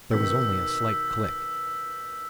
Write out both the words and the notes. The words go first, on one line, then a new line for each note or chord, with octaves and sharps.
There was only a slight click.
B2 D#3 E6 G6 B6